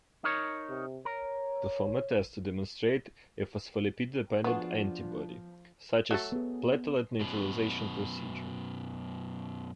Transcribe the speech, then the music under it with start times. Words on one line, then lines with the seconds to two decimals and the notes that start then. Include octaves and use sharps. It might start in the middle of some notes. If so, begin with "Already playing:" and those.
Perform a test to demonstrate a phospholipid-dependent antibody, such as a platelet neutralization procedure.
0.24 D#4 A#4 C#5
0.69 C3
1.05 A#4 C#5
4.44 F3 B3 D4 F4 F#4 G#4
6.11 F#3 A3 A4
6.32 B3 G#4
7.20 F#2 B2